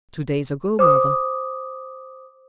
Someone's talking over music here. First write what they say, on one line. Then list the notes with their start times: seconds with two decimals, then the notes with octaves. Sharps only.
"Two days ago, mother."
0.79 C5 D6 D#6